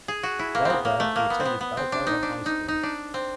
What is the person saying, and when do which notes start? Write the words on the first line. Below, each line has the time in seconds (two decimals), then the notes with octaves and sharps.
While there he attended Balboa High School.
0.08 G#4
0.23 F#4
0.39 E4
0.55 A#3
0.65 B3 C4
0.85 A#3
1.00 A3
1.16 A#3
1.30 B3
1.40 C4
1.45 B3
1.61 B3
1.77 C4
1.92 D4
2.07 D#4
2.23 D4
2.46 D#4
2.68 D#4
2.83 D4
3.14 C4